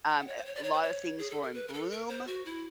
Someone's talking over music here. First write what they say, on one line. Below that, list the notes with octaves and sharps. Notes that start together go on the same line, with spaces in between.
Um, a lot of things were in bloom.
G5
F#5
C#5
C5
C#5
D5
C#5
C5
C#5
G#4
A4
A#4
B4
A#4
A4
A#4
C5
F#4
E4